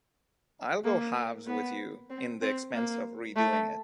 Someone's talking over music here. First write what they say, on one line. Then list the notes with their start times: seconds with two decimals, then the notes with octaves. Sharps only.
I'll go halves with you in the expense of redoing it.
0.84 A#3
1.47 B3
2.10 C4
2.42 C4
2.74 A#3
3.36 A3